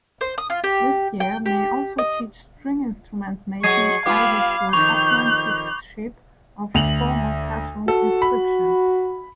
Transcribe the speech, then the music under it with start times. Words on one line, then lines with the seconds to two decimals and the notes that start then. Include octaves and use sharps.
Luthiers may also teach string-instrument making, either through apprenticeship or formal classroom instruction.
0.21 C5
0.38 D#6
0.50 F4
0.64 G4
1.20 G5
1.46 G4
1.98 D#5
3.63 F#3 G#4 D#5 C#6 G#6 C7 D#7
4.06 G3 B3 F4 F5 B5 D6
4.73 F2 D#3 C#6 G6 F7
6.74 D2 F7 F#7
7.88 F#4 A4
8.22 B5